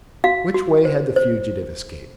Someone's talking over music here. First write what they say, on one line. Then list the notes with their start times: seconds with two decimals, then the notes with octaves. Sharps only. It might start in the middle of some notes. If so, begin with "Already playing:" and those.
Which way had the fugitive escaped?
0.24 F#4 F5
0.54 F#4
0.85 C5
1.16 C5